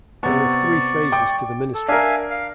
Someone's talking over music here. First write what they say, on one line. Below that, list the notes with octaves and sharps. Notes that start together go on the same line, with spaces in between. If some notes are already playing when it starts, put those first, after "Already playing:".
There were three phases to the ministry.
C3 B3 D5 C#6
G5 D6
A4
D4 A#4 E5 F5 G#5
F5